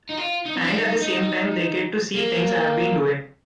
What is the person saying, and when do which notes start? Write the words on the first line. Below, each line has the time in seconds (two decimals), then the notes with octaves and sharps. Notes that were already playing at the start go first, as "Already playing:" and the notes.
And at the same time they get to see things I've been doing.
0.09 D#4
0.17 F4
0.45 D#4
0.55 C4
0.64 D4
0.74 D#4
1.02 D#4
2.15 A#3